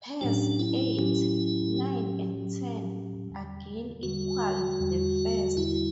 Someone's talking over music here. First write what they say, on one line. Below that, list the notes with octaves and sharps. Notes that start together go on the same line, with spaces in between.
Pairs eight, nine and ten again equalled the first.
A2 F#3 C#4 D4 G4
E4
A2 F#3 C#4 G4
A2 F#3 C#4 G4
A2 F#3 C#4 G4
E2 D3 G3
E2 D3 G3 F#4
E2 D3 G3
E2 D3 G3 E4